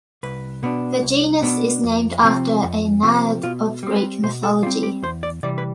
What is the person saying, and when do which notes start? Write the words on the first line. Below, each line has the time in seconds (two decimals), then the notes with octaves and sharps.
The genus is named after a naiad of Greek mythology.
0.23 C2 B4
0.63 B2 B3 D4
1.03 C2
1.43 B2 B3 D4
1.83 F2
2.23 C3 F3 C4
2.63 F2
3.03 C3 F3 C4
3.43 B2 F4
3.83 G3 C4
3.96 B4
4.23 B2 C5
4.43 A4
4.63 G3 F4
4.67 C4
4.83 G4
5.03 E2 C5
5.23 D5
5.43 C3 E3 G3 D5
5.58 B4